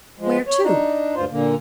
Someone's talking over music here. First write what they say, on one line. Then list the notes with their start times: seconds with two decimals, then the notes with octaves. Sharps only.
"Where to?"
0.19 F3 G#3
0.47 C#5
0.63 D4 D#4
1.15 D2 G2 F4 C5
1.31 A#2 D3 A#3